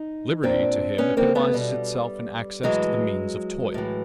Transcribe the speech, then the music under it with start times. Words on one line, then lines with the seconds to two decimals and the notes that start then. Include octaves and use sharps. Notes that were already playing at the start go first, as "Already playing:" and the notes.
Liberty to him epitomizes itself in access to the means of toil.
Already playing: D#4
0.43 A#2 C4 D4
0.98 B3 C#4
1.17 A#3 C4
1.35 A3 B3
1.54 B2 G3
2.63 A2 E3 F#3 G#3
3.74 A2 E3